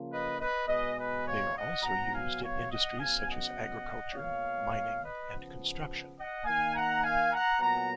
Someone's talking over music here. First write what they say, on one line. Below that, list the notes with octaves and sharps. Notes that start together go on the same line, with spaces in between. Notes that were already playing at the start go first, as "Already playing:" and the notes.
They are also used in industries such as agriculture, mining and construction.
Already playing: C#3 F3 A#3
B4 D#5
B4 D#5
B2 G#3 B3 B4 D#5
B4 D#5
C#5 F5
D#5 F#5
B2 F#3 B3 F#5 A#5
F5 G#5
C#5 F5
D#5 F#5
C#3 F#3 B3 F5 G#5
D#5 F#5
A#2 G#3 B3 C#5 F5
B4 D#5
C#3 F3 B3
D#5 F#5
D#3 A#3 F5 G#5
F#5 A#5
F5 G#5
F#5 A#5
A#2 F#3 B3 F#5 A#5